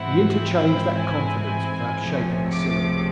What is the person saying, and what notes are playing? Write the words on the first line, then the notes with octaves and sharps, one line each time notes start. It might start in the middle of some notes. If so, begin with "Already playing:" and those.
We interchanged that confidence without shaping a syllable.
Already playing: G#2 E3 G#3 C4 E4 F#5
G5
G#5
C#2 C3 F3 A3
D6